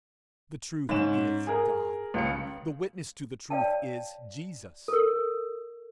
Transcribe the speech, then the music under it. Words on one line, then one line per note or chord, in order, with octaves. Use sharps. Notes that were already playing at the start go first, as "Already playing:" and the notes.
The truth is God; the witness to the truth is Jesus.
G#2 C#4 E7
G#4 A#4
C#2 C#3 C#7
C#5 D5 F5 G5 A5
A4 A#4